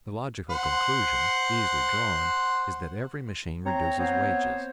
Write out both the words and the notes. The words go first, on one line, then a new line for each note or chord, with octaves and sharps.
The logical conclusion easily drawn is that every machine reduces wages.
C5 F#5
C4 C#5 A#5
B3 C4 C5 C#5